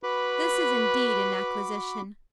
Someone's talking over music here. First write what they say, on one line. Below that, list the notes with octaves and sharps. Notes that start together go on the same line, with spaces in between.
This is indeed an acquisition.
F#4 B4 B5 D6